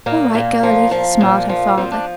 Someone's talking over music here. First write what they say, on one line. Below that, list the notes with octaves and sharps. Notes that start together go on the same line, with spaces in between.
"All right, girlie," smiled her father.
A#2 A#3
A#2
F3
F3
A#2
F3
F3 C4
D4